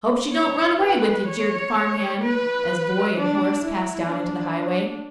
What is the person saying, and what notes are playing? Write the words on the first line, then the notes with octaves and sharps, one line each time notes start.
"Hope she don't run away with ye," jeered the farm-hand, as boy and horse passed out into the highway.
C#5
B4
C#5
B4
D4
E4
D4